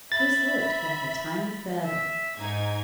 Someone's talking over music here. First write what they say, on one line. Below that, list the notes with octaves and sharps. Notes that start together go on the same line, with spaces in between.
This looked like a tiny feather.
E5 B5 A6 B6
E5
G#2 D#4 G#6